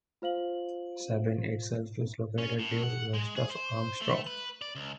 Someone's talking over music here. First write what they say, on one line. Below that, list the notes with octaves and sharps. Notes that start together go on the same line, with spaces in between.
Sabine itself is located due west of Armstrong.
F4 C5 F5 F#7
C#4
A2
F#5
G#3
G#4
C5
A3
B4
D5
C#2